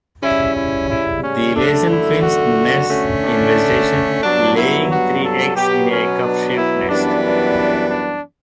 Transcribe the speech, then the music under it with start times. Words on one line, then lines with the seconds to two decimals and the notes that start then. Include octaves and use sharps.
The Laysan finch nests in vegetation, laying three eggs in a cup-shaped nest.
0.22 C#3 G3 C#4 E4
0.56 E4
0.89 E4
1.23 C#4
1.56 F#2 D3 A3 D4
1.90 E4
2.22 F#4
2.90 D3 A3 C#4
3.22 D4
4.23 G2 F#3 B3 D4
4.56 E4
4.90 F#4
5.23 A4
5.56 B2 F#3 B3 G4
5.90 C#4
6.23 D4
6.56 E4
6.89 F#2 E3 G3 B3 D4
7.23 D4
7.56 D4
7.89 D4